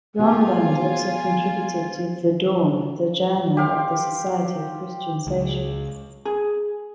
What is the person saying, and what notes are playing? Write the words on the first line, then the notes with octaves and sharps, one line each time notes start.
Gronlund also contributed to "The Dawn", the journal of the Society of Christian Socialists.
B3 F4 G4 G#4 G#5
G4 F5 G5 C6
C#2
G#4